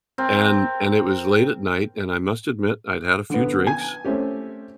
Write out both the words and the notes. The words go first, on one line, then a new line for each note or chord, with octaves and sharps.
and and it was late at night, and I must admit, I'd had a few drinks,
C4 A#4
D3 B3
G#5
A3 C4 C#4 G4